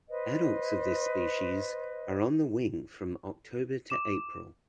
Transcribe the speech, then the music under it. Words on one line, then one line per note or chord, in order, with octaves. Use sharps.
Adults of this species are on the wing from October to April.
B4 C5 D#5
D6 E7